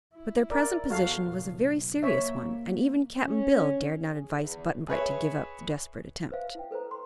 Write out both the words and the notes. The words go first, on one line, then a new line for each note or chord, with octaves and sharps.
But their present position was a very serious one and even Cap'n Bill dared not advise Button-Bright to give up the desperate attempt.
E4
A#4 D5
E2 F#4 A4 F5
F#1 B2
C3 A#3 C#5 E5
C#4
G#4
E2
G#4 B4 C#5 E5
B4 C5 E5 F5
E4 G5
A4 B4 C5 A#5
C6